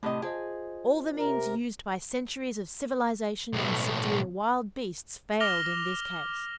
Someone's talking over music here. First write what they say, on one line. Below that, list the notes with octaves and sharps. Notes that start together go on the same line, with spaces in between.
All the means used by centuries of civilization in subduing wild beasts failed in this case.
A2 C3 A3 G4 D#5
F4 G#4 C5 D#5
C3 A#4
B1 A2
D6 F6 A#6 F7 G7